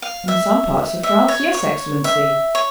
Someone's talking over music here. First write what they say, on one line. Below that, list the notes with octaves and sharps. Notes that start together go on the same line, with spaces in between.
"In some parts of France--yes, excellency."
F5
E5
E5
C#5
C#5
E5
C#5